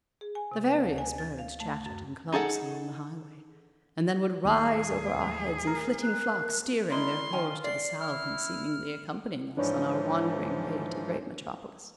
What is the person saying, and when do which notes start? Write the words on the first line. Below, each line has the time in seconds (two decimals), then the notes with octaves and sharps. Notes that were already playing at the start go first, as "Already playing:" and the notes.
The various birds chattered in clumps along the highway, and then would rise over our heads in flitting flocks, steering their course to the south and seemingly accompanying us on our wandering way to the great metropolis.
0.21 G#4
0.35 G#5
0.52 C3
0.64 B4
0.82 D2
0.98 G#5
1.18 A6
1.39 F5
1.60 A3
1.86 F#2
2.32 D#4 G#4 A4 F#5
4.45 D#2 A2 G#4
5.67 A#4
6.03 F#6
6.90 G#3 E4 A#4 D5 C6
7.33 D#3 F4 G5 G#5
7.64 D5 C7
8.00 E4 F6
9.57 G#2 E3 F3 D4 B4 C#5